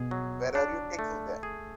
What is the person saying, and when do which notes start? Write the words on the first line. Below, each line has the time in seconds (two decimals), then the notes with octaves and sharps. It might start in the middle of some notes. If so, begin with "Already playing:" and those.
Where are you taking them?
Already playing: B2 G#4
0.11 F#3
0.55 D4
0.99 A3
1.43 G#4